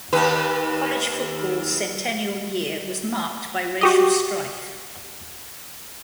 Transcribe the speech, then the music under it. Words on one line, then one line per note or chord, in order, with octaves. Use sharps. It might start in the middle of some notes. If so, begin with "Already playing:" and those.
College football's centennial year was marked by racial strife.
D#2 B4
F#4 G4 D#5